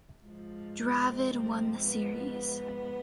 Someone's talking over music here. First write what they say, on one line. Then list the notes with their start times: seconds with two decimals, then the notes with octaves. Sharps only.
Dravid won the series.
0.24 G#2 F3
1.05 C4
1.83 B3